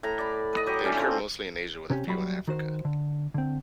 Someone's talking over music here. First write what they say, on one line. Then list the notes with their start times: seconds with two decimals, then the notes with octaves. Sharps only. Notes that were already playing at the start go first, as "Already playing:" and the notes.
They occur mostly in Asia with a few in Africa.
0.03 A2 A#5
0.18 D5 B5
0.53 B4 D#5
0.66 F#3 G4 C#5 D6
0.84 E3 A3 C#4 D4
0.98 F3 C4
1.90 C3 C#4 G4
2.07 F#3 G3 E5 B5
2.48 D#3 F#4 C5
2.85 D3
3.34 D3 C4